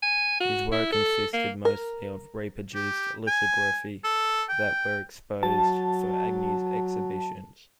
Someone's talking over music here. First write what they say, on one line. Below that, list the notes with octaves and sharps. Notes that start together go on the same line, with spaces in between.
His work consisted mostly of reproduced lithography that were exposed for Agnew's exhibitions.
G#5
F#4
E4
A4
A#3
A#4
G4
G#5
A4
G5
F#3 A5